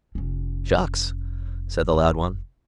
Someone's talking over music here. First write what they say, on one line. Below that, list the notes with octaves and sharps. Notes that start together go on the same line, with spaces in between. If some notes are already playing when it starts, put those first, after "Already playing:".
"Shucks!" said the loud one.
F1 C#4